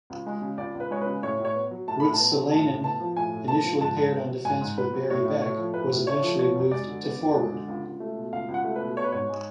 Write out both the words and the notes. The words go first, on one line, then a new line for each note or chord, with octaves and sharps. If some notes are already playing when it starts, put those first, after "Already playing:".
Ruotsalainen, initially paired on defense with Barry Beck, was eventually moved to forward.
C#2
G#3
C#3
C#2 D5
C#2
B4
G#3 C#5
B4
C#3
A2 C#5
A2
C#5
B3
F#3
A2 A5
A2 B5
A5
B3
F#3
A2 A5
A2
B3 A5
F3
A2 G#5
A2
B3 A5
F3
G#2 A5
G#2
B3
F#3
G#2 G#5
G#2
B3 B4
F#3
A2 C#5
A2
A3 C#5
F3
A2 B4
A2
A3 C#5
F3
B3 C#5
F#2
G#3 D5
D3
B3
F#2
G#3
D3
C#2
C#2
A3
B2
C#2 F5
C#2
F#5
A3
B4
B2
B3 C#5
B4
G#2 C#5
G#3